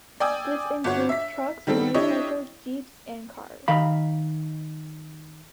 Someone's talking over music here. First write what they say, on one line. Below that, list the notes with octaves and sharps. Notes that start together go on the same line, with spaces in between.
This includes trucks, motorcycles, jeeps and cars.
D5 G5 G#5 D#6 E6
G1 F#4 C#5
E5 B6
D#3 G3 C4 A4
D4 E4 G4 C#5 D#5
D#3 F5 B5